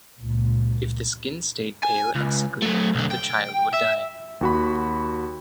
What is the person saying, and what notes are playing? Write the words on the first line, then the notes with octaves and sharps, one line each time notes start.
If the skin stayed pale and sickly, the child would die.
C#2 A#2
G#5
C#2
F#3 A3
B1 D3
G5
E5
D#2 F#4 B5